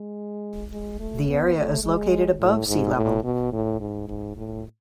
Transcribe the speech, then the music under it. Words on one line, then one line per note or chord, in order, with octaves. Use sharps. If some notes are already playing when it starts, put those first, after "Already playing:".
The area is located above sea level.
Already playing: G#3
G#3
A3
B3
A3
G#3
A2
G#2
A2
B2
A2
G#2
G#2
A2